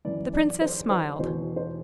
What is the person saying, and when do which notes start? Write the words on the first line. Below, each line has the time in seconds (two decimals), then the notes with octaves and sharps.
The princess smiled.
0.05 F#2 E3 D5
0.33 D5
0.61 C5
0.90 C5
1.19 E2 B2 C5
1.56 C5